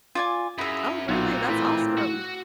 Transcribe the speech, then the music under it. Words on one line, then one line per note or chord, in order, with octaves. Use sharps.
Oh, really? That's awesome.
F4 D5 G#5
F#2 E4 G#4 E5 A#5
B1 A#2 C4 F4 F#4 F5
A2 E3 B4
F#4